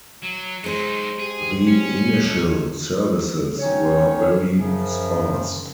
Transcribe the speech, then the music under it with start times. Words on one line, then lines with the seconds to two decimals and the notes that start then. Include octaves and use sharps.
The initial services were very sparse.
0.22 F#3
0.64 F#3 G#3 D#4 C5
1.19 G4 G#4
1.67 C#4
2.24 D#2
3.59 D#3 F#3 C#4 D#4 C#5
4.54 F#2 C#3 F3